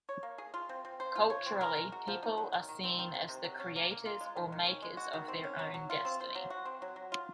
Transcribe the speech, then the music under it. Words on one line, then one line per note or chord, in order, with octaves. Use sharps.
Culturally, people are seen as the creators or makers of their own destiny.
C#5
A#3
G#4
F4
C4
C4
C5
F4
C#5
C4
A#4
G#3
F#4
F3
D#4
F#3
D#3
D#3
C4
D#3
C3
C3
F#3
C#4
A#3
A#3
F4
G#3
D#3
D#3
C#4
G#3
F#4
D#3
C4
C#4
F#3
F#3
F4
C4
C5
F#3
F#4
C4
F#3
F#3
F4